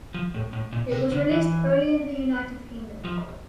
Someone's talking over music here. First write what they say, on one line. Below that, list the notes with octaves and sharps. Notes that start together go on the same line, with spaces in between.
It was released only in the United Kingdom.
F3
A2
A2
A#2
C3
D3
E3
F3